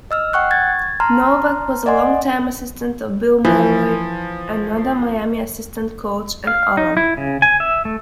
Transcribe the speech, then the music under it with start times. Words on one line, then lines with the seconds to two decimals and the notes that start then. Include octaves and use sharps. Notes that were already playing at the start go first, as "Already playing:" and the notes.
Novak was a longtime assistant of Bill Mallory, another Miami assistant coach and alum.
0.11 D#5 E6 F6
0.33 F#5 G5 C#6 F#6
0.51 G#6 A6
1.00 A5 A#5 C6 F6
1.86 D5 D#5 F#5 G#5 C6
3.45 E3 F3
6.47 F5
6.77 D#4
6.97 E4
7.17 C#3
7.42 G#5
7.60 E5
7.85 A3